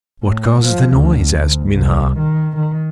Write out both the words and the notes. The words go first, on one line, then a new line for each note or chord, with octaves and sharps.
"What causes the noise?" asked Minha.
A2
F3
D2
D2
C2
D#3
D#3